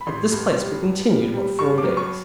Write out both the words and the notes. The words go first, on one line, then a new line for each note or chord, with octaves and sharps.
At this place we continued about four days.
B5
A1 C6
G2
G3
G2
G3
G3
G2 C#6
D6
F#3
C#6